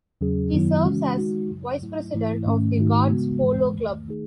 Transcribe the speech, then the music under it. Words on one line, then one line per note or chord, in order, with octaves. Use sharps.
He serves as Vice President of the Guards Polo Club.
E2 C#3 F#3 C#4 G#4
F#2 D#3 F#3 B3 E4
C#3 E3 G#3 C#4 F#4
D#3 G#3 D#4 F#4
F#2 C#3 F#3
G#2 F#3 A3 E4
G#2 E3 A3 E4
G#2 D#3 A3 C#4
G#2 D#3 A3 D#4 F#4
C#3 G#3 B3 F#4
G#2 E3 G#3
E2 D#3 A3
D#3 A3 D#4 G#4